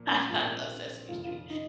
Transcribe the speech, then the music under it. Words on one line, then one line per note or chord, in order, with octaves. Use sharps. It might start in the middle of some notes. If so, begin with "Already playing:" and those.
I I love Sesame Street.
Already playing: A#2 F3 A#3
C#4
A#1 A#2 G3 C4 F4
F1 F2 D#3 F4
F4
D#4